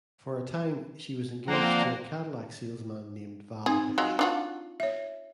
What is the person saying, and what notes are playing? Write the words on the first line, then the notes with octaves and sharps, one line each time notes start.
For a time, she was engaged to a Cadillac salesman named Val Hush.
F3 A#3 C4 C5 D5 F#5 A#5
C4 D#4 G#4
F#3 G#3 F4
D4 F4 F#4
C#5 E5